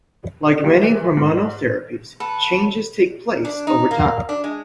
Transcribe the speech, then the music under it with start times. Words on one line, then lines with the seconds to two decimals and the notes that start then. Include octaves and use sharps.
Like many hormonal therapies, changes take place over time.
0.64 F#3 G3 A#3 F4 G4
0.79 E3 G3 E4
1.17 G#2
2.20 A4 B4 F#5
3.45 D4
3.67 D#4
3.91 A#3
4.29 D4
4.44 G#3